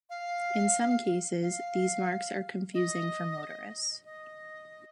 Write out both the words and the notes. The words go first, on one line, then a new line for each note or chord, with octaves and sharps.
In some cases, these marks are confusing for motorists.
F5
F5
D#5
D#5